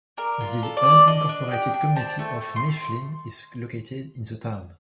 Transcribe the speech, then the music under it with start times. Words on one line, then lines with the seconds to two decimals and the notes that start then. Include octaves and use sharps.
The unincorporated community of Mifflin is located in the town.
0.17 D4 A#4
0.41 F4
0.63 A4
0.77 D5
0.85 D4
1.07 D4 D#5
1.29 D4
1.51 G4 G5
1.74 D4
1.96 C4 A5
2.19 A3
2.41 A3
2.56 C6